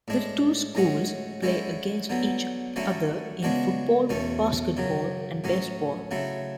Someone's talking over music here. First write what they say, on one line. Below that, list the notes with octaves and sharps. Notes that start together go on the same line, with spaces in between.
The two schools play against each other in football, basketball, and baseball.
A2 G#3 D4
A2 G#3 C#4 F#4
D3 G#3 C#4 E4
D3 F#3 B3
D3 F#3 A3 C#4 E4
C#3 G#3 B3 D4 F#4
E2 B2 A3 C#4
F#2 C#3 F#3
A2 F#3 C#4
C#3 F#3 A3 E4